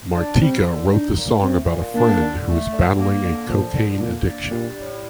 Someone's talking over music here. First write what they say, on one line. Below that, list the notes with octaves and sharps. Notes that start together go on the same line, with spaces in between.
Martika wrote the song about a friend who was battling a cocaine addiction.
D4
G3 C4
D3
D4 D#4
A#2
A3 C4
A#2
A#3 D4
D3
A3
D3
A#3
D3
A#2 F3
D3
A#2 A#3
D4
A#2 G3
A2